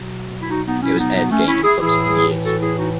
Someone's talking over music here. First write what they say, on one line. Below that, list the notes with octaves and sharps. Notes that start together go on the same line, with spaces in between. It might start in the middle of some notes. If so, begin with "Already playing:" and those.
It was aired again in subsequent years.
Already playing: B2 F#3
E4
D#4 F#4
B3 D#4
C#4 E4
B3 D#4
B3 D#4
A3 C#4
C#4 E4
E4 G#4
A2 E3 E4 G#4
F#4 A4
E4 G#4
D#4 F#4